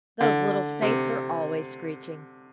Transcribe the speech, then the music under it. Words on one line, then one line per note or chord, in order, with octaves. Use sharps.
Those little states are always screeching.
D3
C3